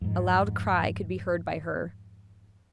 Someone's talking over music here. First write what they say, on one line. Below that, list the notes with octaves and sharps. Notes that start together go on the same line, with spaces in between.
A loud cry could be heard by her.
F2 G#2